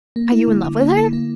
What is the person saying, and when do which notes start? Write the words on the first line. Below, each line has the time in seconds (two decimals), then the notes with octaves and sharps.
"Are you in love with her?"
0.16 A#3
0.32 E4
0.48 D3
0.64 D3
0.80 A#3
0.97 E4
1.13 A#3